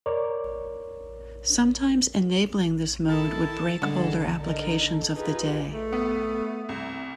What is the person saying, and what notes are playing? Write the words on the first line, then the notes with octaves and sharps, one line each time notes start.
Sometimes enabling this mode would break older applications of the day.
A#4 C#5 D5
D#3 E4 A4 A5
D3 G3 G#3
D3 D#4 A#4
A4
D#4 F4 G4 G#4 B4
A3
B3
C2